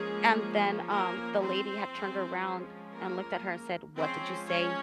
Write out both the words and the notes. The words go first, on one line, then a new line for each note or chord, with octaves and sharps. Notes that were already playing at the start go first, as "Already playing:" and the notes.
and then, um, the lady had turned around, and looked at her and said, "What did you say?"
Already playing: F3 G#3 A#3 C#4 G#4
A#3 A#4
C4 C5
F3 G#3 C#4
A#3 A#4
F3 G#3 C4 C#4 C5
C#4 C#5